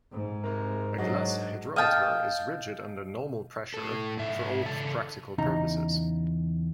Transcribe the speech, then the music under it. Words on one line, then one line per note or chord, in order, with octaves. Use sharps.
A glass hydrometer is rigid under normal pressure, for all practical purposes.
G#2
C3 G#3 A#4
F#3 D4 F#4 G#4 D#5
D#5 F5 G5 A5
A2 A4
G#2 E5
C#3 A4 A5
E2 C#3 D#4 A#5